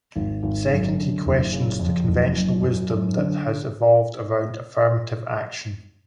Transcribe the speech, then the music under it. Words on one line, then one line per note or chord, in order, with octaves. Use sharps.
Second, he questions the conventional wisdom that has evolved around affirmative action.
G#1
G#1
F#2
D3
F#1
C#3
F2
F#1
F#2
F#2
F#2
D3